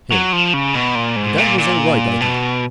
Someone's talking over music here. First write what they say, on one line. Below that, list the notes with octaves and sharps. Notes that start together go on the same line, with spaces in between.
HIM: That was all right, I thought.
F#3
F3
C#3
B2
A#2
G#2
A#2
A#2
B2